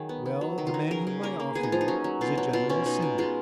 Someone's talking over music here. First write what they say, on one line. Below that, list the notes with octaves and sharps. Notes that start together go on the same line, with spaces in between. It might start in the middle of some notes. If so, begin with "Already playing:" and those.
"Well, the man whom I offer you is a general syndic."
Already playing: D#3 F#3 G#4
B3
B3
F#3
D#3 D#4
F4
F#3 D#4
C#3 A#4
C#3
A#3 A#4
A#3
B3 G#4
D#4
F3 F4
D#4
F#3 C#4
F#3
B2 F4
F#3
B2 F4
B2 C#4
B2 D#4
B2
G#3 F4